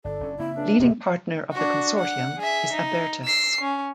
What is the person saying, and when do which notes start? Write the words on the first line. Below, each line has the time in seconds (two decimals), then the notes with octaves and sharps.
Leading partner of the consortium is Abertis.
0.05 G1 D4 A4
0.20 F#1 C#4
0.39 C#3 A#3 C4 E4 E5
0.56 C#2 D4
0.79 D1 C3 G#3
1.52 D4 F#4
1.99 F#5
2.38 G#4 E5
2.72 D#4
3.25 E6 C7
3.61 C#4